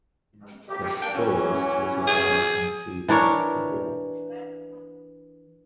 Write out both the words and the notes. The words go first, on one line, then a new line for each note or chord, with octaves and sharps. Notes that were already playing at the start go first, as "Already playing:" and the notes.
The spores can survive on seeds and stubble.
G4
A#3 D4 G5
E3 F#3 C#4
G#4
E3 D4 A#4 C#5